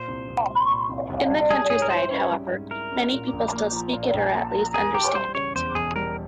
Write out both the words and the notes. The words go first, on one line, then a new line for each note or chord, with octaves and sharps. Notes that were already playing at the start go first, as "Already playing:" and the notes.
In the countryside, however, many people still speak it or at least understand it.
Already playing: A#2 C5
C2
C2
G3
A#2
C2
C2
G3
G3 G#4
G#2 G#4
A#4
E4 C5
C#4 C#5
G3
G#2
E4 A#4
C#4
A#2
A#1
A#3
F3
A#2
A#1
A#3
F3
E2 G#4
E1 G4
G3 C5
C#3 C#5
E2 C5
E1 G#4
G3 A#4